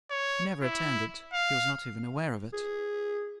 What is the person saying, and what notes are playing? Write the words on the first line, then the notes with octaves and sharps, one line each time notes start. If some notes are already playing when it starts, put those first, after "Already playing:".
He never returned it--he was not even aware of it.
C#5
E4
F5
G#4